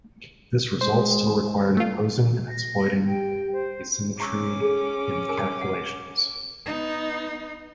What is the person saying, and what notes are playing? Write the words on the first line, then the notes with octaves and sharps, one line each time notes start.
This result still required imposing and exploiting axisymmetry in the calculations.
G#3 C5
A3 F4
A#6
G4 G5
C5
C#4 A#5 C#6 D6 E6
G#4 A4
A#4 G#5
F#5
B3 D#4